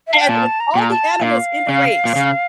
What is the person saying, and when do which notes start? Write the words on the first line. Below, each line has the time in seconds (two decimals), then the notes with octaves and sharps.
and with all the animals in the race,
0.07 E5
0.15 F5
0.21 G5
0.29 A#2 A5
0.60 A#5
0.75 A#2 A#5
0.90 A5
1.21 A#2 F5
1.69 C#3
2.05 A#2
2.16 C#3